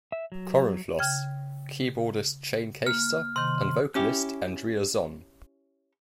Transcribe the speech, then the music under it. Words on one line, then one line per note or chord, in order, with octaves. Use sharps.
Corenflos; keyboardist Shane Keister, and vocalist Andrea Zonn.
E5
F#3
C#3 G5 G#6
A#3 F6
C3 D#3 C6
C#4 E4 G4